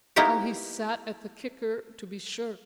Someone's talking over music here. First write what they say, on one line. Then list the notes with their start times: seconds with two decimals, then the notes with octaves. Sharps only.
How he sat the kicker to be sure!
0.16 A#3 B3 D#4 E4 G4 C#5